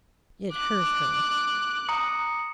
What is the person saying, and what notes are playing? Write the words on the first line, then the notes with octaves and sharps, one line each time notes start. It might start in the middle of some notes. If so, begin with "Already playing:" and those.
It hurt her.
D6 F#6
A#5 D#6 C#7